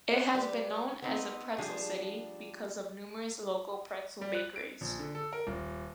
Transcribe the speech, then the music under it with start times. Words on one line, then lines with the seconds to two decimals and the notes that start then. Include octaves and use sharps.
It has been known as "The Pretzel City", because of numerous local pretzel bakeries.
0.11 E5 F#5
0.35 G3 B4
1.02 B3 C4 D#4
1.58 F3 G3 D4 G#4
4.21 G3
4.35 F#6
4.56 D7
4.81 A#1
4.99 D3
5.15 A4
5.33 A#4
5.47 D#1